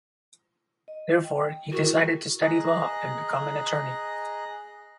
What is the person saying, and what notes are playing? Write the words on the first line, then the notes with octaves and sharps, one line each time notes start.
Therefore, he decided to study law and become an attorney.
D#5
G5
E4 F#4 G#4 A#4
G#4 D#5 A#5 F#6